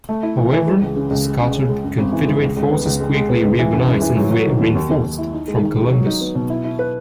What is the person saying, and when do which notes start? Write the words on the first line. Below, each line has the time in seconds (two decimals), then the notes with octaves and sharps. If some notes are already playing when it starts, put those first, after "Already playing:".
However, the scattered Confederate forces quickly reorganized and were reinforced from Columbus.
0.09 A3
0.23 E4
0.38 E3
0.52 E3
0.67 G#3
0.81 C#2
0.96 C#3
1.10 C#2
1.25 G#3
1.40 C#3
1.54 C#4
1.69 G#3
1.84 F#2
1.98 G#1
2.13 E3
2.27 G#3
2.42 C#2
2.57 C#2
2.71 B3
2.85 C#2
3.00 G#3
3.14 G#3
3.29 B3
3.43 C#2
3.59 E3
3.73 F#2
3.87 F#2
4.02 E3
4.17 F#3
4.31 F#3
4.46 D#3
4.60 D#2
4.75 D#2
4.89 D#2
5.04 D#2
5.18 E4
5.33 D#4
5.48 G#3
5.62 D#3
5.77 G#3
5.91 F#3
6.06 D#4
6.20 B3
6.35 B2
6.50 E4
6.64 E4
6.79 B4